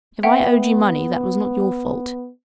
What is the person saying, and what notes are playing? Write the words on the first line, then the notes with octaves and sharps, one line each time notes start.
If I owed you money, that was not your fault.
B3 E5 F#5 G5